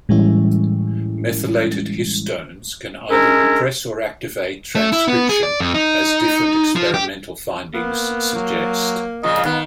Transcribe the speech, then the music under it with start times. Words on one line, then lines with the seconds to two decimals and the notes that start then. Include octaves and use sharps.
Methylated histones can either repress or activate transcription as different experimental findings suggest.
0.09 A2 E3 G3 G#3 C#4 E4
3.10 G#3 C#4 D4 E4 G#4 A#4
4.75 A3
4.92 E4
5.08 B3
5.29 G#4
5.43 D5
5.60 F2
5.74 D#4
6.76 F3
6.94 G4
7.74 A#3 B3
8.35 F#3
9.23 A#2 C#3 F3 D#5
9.45 D#3 B3